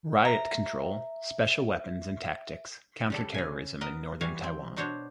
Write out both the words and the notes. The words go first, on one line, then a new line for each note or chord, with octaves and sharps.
Riot control, Special Weapons and Tactics, counter-terrorism in northern Taiwan.
E5 A#5
C#3 G3 A4
C#3 G#5
B3 A#4 D#5
E3 G3 F#4 F5 G#5
C4
B2 D4 F#4 C5 C#5